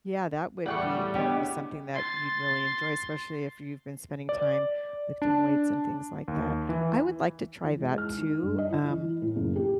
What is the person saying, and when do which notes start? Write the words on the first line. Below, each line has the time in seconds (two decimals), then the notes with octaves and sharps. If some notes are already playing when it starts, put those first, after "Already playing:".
Yeah, that would be probably something that you'd really enjoy, especially if you've been spending time lifting weights and things like that. I would like to try that too, um,
0.66 E2 A2 G3 A4 F#5 G5 C#6
1.14 B3 D4 G4 C#5 D#5
1.94 C6 A6
4.29 D5
5.22 D4
6.28 D#2
6.69 E3
7.64 E3
7.81 G#3
7.98 F6
8.18 D#3
8.43 G2
8.59 D#5
8.71 E4
8.89 E3
9.22 A2
9.36 F#1
9.56 G4